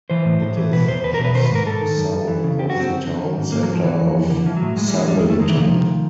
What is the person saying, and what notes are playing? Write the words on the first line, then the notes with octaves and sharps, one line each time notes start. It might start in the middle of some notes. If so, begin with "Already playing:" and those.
It is just south of the town center of Southington.
E3 C5
A2
A2
E3
B2 B4
E2 C5
E2 B4
A#4
B2
B4
D#3 C5
B4
G#2 A#4
G#2 A4
D#3
F#2
F#2
E3
C#3
D3 G4
F#4
F#2 C4
F#2
D3
D#3
G#2
G#2 A#3
F#3
D#3
F3
D3 E3
F2
F2
D3
E3 F3
F#3
A2
A2 G#3
G3
E3 G#3
F2 G3
F2 G#3
A3
D#3 G#3
E3
C3 F3
D#3